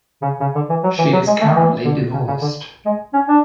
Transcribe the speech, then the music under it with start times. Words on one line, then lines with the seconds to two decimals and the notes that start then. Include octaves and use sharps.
She is currently divorced.
0.22 C#3
0.40 C#3
0.55 D3
0.69 E3
0.84 F#3
0.98 E3
1.13 F#3
1.27 G#3
1.41 A3
1.56 E3
1.84 D3
2.13 C#3
2.27 C#3
2.42 D3
2.86 G#3
3.14 C#4
3.28 D4